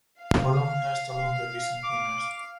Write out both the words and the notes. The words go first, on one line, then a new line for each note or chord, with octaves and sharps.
The following are some of the recent winners.
F5
D6